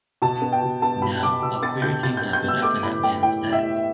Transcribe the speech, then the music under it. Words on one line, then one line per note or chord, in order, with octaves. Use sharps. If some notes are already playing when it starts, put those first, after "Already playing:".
Now, a queer thing happened after that man's death.
B2 A5
B3
G5
B2
B3 A5
B2 B5
B2 D6
B2 E6
B3 A6
B2 G6
B2 A6
B3 G6
G6
B3
E6
A3 D6
A2 B5
A3 G5
A2 G5
A2
E5
A2